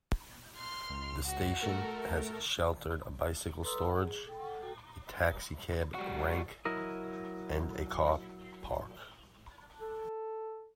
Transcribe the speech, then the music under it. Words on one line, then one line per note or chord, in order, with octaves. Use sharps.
The station has sheltered bicycle storage, a taxicab rank, and a car park.
C6 F6
C#2
F#4
A3 A4 A#4
A4 B4 A#5 C6 D#6 E6
F#5
G#4
A4 G5
A4 F#5
F#4 A4 G5
G3 F#4
F#3 E4 A#4 D#5
A4